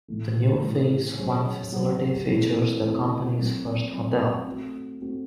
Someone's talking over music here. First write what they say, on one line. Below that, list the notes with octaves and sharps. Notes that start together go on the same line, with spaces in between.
The new Phase One facility features the company's first hotel.
A2 E3 A3
A2 E3 A3
F#3 C#4 G#4 C5
F#3 C#4 G#4 C5
E3 A3 C4 E4
E3 A3 C4 E4
F#3 A3 C4
F#3 A3 C4
A3 C4 F#4
A3 C4 F#4